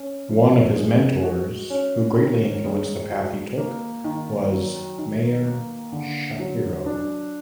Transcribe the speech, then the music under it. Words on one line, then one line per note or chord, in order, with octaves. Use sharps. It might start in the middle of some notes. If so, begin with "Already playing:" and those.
One of his mentors who greatly influenced the path he took was Meyer Schapiro.
Already playing: C#4
F3
G#3
F#4
C#4
D#3
G#3
F#4
A#3
D#3
F#3
D#3
A#3
D3
F#3
D4